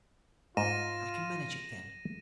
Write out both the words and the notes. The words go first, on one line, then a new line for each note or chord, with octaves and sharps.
I can manage it then.
G#2 F4 A#6 D#7 E7